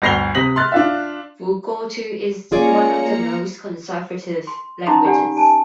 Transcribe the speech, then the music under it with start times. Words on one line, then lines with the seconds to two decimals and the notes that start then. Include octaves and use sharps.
Bugotu is one of the most conservative languages.
0.02 G1 D2 A#6 C7 F7 G7
0.35 C3 D#6 A#6 B6 F#7
0.56 C6 F6 F#6 A6
0.72 D4 F4 E5
2.52 A#3 C#4 F4 G#4 D5 A#5 C#7
4.47 C6
4.86 C#4 D#4 E5 A#5 C6 D#6
5.05 G4 D5 F#5 G#5
5.37 G#5 A5